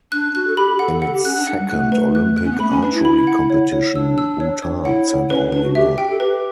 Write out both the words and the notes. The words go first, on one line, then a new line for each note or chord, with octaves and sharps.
In its second Olympic archery competition, Bhutan sent only men.
D4 F#6
F#4 F#6
A4
G4 B5
A4 F#5
A4
A4 F#5
G4
C#4 F#6
D4
D4 F#5
F#3
G3
A3 F#6
B4
F#6
F#6
C#4
B3
A3 B5
C#4
D4 B4
E4
B5
F#5
C#5
C#5
D4 E6
E6
C#5
C#5
E4 F#5
C#5
C#4 B4
D4 B4
F#4
G4 E5
G5
A4
G4 B4